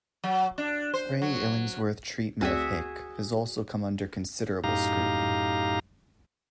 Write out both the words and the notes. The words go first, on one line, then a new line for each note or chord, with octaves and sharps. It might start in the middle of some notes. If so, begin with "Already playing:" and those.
Ray Illingworth's treatment of Hick has also come under considerable scrutiny.
F#3
D4
C5
F#3
D2 C4 F#4 G#4 D5 E5
F#2 A2 D#4 G4 F5 A#5